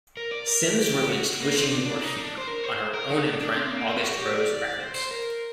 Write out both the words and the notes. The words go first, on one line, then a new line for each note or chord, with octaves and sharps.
Sims released "Wishing You Were Here" on her own imprint, August Rose Records.
A#4
D5
A#4
G4
G4
F#4
F#4
A#3
C4
D4
D4
D#4
D4
C5
A#4
C5
A#4
D#4
D4
D4
C4
A#3
C4
F#4
G4
D5
C5
C5
A#4